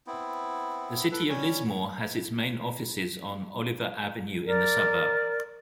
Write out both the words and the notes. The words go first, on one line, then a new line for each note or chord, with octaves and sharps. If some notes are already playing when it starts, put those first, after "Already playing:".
The City of Lismore has its main offices on Oliver Avenue in the suburb.
B3 C4 E4
A4 B4
G3 C#4 C#5
A#4 D5